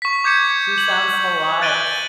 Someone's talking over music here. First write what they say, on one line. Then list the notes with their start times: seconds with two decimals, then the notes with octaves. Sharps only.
She sounds so wise.
0.02 C#6 B6
0.24 D6 G6 G#6 C#7 E7
0.78 F#7
1.61 F#6 A6 D7 D#7 F#7 G7